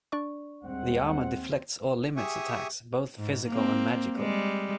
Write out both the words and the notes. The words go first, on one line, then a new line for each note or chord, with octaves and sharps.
The armor deflects or limits attacks, both physical and magical.
D4 D5 C#6
D#2 G3 G#3 C4 F#5
G4 G#4 E5 G#5 C#6 D#6
G#2
A#3 C4
G3 G#3